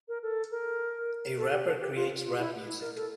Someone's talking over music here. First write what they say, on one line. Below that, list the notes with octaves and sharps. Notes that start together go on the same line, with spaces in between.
A rapper creates rap music.
A#4
A4
A#4
A4
G4
A4
G4
F4
F4
E4
E4
A#4
A4